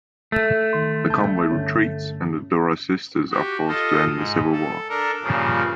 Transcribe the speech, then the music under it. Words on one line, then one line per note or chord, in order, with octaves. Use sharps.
The convoy retreats, and the Duras Sisters are forced to end the civil war.
A3
D#3 C6
C#2 A5 G6
G2 D3 C#4
F#4 G4
F4 A4 D#5
G#2
A4
D4 A4 A#4
G2 A#2 C#3 F3